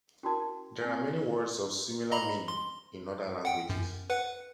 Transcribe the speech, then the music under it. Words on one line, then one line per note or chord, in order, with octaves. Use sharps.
There are many words of similar meaning in other languages.
C#4 E4 F#4 A#4 A5
C4 G#5
D#5 A#5 B5
C6
F#5 G5
F#2
B4 F#5